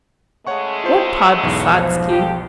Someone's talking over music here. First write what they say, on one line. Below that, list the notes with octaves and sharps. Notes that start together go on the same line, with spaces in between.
"What Podvysotsky?"
C#3 G#3 A3 C#5 F#5 C#6
F4 C5
B1 E2 G#2
F3
G4 A4